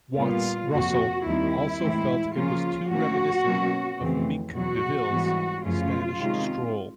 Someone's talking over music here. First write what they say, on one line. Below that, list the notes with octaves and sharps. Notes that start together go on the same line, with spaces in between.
Watts-Russell also felt it was too reminiscent of Mink DeVille's "Spanish Stroll".
A#2 G3 B3 F4
F2 C3 F3 A#3 F#4
D#2 D#3 G3 C4 E4
A2 E3 G#3 C4
C#3 F3 A#3 C#4 F4
A2 F3 A#3 C#4 F#4
B2 F#3 A#3 C#4
F2 C#3 E3 A3 C4
E2 B2 F#3 F#4
G#2 E3 G3 B3
F#2 C#3 F3 A3 C#4 F4
C3 D#3 G#3 C#4